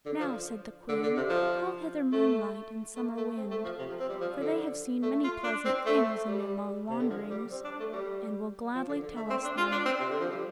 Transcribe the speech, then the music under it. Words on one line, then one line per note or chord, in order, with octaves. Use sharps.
"Now," said the Queen, "call hither Moon-light and Summer-Wind, for they have seen many pleasant things in their long wanderings, and will gladly tell us them."
D3
F3
D3
D3
C3
F3
A3
A3
A3
C4
A3
F3
C3
F3
C4
G3
F3
D3
A3
F4
D4
C4
A3
G3
C3
D3
F3
G3
C4
D4
A3
G3
F3
D3
D3
A3
C4
D4
F4
D4
C4
C3
D3
F3
G3